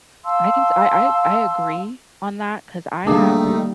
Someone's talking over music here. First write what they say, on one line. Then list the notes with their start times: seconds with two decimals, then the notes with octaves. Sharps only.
I can sa I I I agree on that 'cause I have
0.24 F5 A5 C6 E6
3.07 D#3 G3 A3 A#3 D4 D#4 G#4 F5